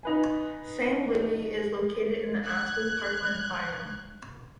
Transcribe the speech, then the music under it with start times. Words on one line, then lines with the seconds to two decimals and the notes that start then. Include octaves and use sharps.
Saint Louis is located in the aspen parkland biome.
0.03 D#4 B4 G#5
2.44 F#6 G#6